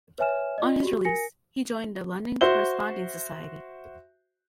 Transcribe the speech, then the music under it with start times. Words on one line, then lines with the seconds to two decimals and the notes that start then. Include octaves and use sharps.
On his release he joined the London Corresponding Society.
0.18 B4 C#5 E5 G#5 F6 E7
0.58 F4 D5 D#5
0.83 F#4 G4
1.05 A#4 G#5 A#6 C#7
2.41 F#4 C5 E5 G7